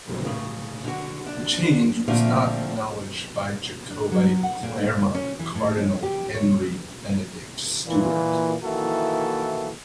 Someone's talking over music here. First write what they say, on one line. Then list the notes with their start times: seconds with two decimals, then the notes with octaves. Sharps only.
The change was not acknowledged by Jacobite claimant Cardinal Henry Benedict Stuart.
0.25 A2 C#3
0.84 D3 F#4
1.26 D4
2.08 A#2 D3 F3 A3 C4
3.90 D4
4.12 F#3
4.43 F#5
4.63 A#2
5.15 C#4
5.39 E3
5.55 A2
5.78 C#4
6.03 G4
6.35 C#5
7.87 A#2 E3
8.63 D#3 E3 A#3 E4 F#4 A4